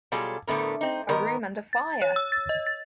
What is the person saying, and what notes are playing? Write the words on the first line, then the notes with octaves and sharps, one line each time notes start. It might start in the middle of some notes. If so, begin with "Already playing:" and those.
A room and a fire!
B2 F#3 G3 F4 G#4 A4
A2 D3 A3 B3 A#4
C4 D#4
G#2 D#3 B3 A#4
A6
C#5
E6
A6
D#5
A6